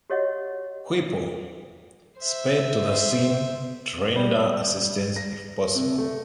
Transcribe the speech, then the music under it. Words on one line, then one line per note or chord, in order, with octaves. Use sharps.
"Whipple" sped to the scene to render assistance if possible.
F#4 G4 C#5 D#5 E5 F#5
C5 E5
G3
A#6
C3
A3